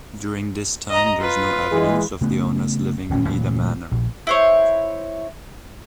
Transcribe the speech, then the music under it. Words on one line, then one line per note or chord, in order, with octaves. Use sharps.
During this time there is no evidence of the owners living in either manor.
D#5 A#5
F4 B4
E3 G#3
C#3 A3 B3
D#1 A1 A#2 C#4
D2 A#2 E3 F#3
A#1
E4 C5 C#5